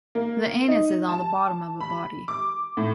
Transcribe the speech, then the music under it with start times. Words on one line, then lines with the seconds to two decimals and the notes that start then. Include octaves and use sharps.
The anus is on the bottom of a body.
0.15 A#3
0.68 D#4
1.09 A5
1.80 B5
2.28 D6
2.77 A2